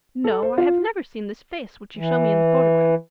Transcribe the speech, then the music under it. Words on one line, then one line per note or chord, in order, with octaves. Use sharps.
No, I have never seen this face which you show me in the photograph.
A4
C5
F4
E3